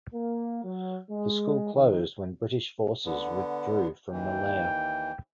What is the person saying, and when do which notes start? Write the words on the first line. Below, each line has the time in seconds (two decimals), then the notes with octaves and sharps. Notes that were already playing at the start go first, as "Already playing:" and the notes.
The school closed when British Forces withdrew from Malaya.
0.13 A#3
0.63 F#3
1.10 G#3
1.74 D#3
3.05 D3 B3
4.12 D#2 E3 G5